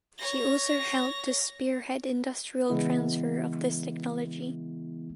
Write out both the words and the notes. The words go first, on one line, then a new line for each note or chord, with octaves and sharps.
She also helped to spearhead industrial transfer of this technology.
C#5 A#6
C#3 E3 G#3 B3 E4